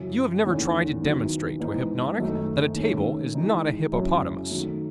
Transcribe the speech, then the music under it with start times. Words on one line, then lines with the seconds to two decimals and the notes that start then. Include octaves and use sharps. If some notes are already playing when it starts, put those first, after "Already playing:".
You have never tried to demonstrate to a hypnotic that a table is not a hippopotamus.
Already playing: F#2 C#3 E3
0.43 E2 D#3 A3 C#4 E4
1.02 D#3 F#3 B3 E4
1.60 G#2 E3 B3 D#4
2.18 F#2 D#3 A3 D#4
2.75 D#3 A3 C#4
3.34 C#3 E3 G#3 D#4
3.92 F#2 C#3 F#3 C#4 E4
4.50 D#3 F#3 A3